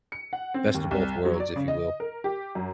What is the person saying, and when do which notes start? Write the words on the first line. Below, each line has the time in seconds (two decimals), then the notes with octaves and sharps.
Best of both worlds, if you will.
0.12 C#7
0.33 F#5
0.54 C4
0.75 D#2
0.91 C2
1.25 F#3
1.40 D5
1.56 C#3
1.68 D#5
2.00 A#4
2.24 G4
2.55 F#2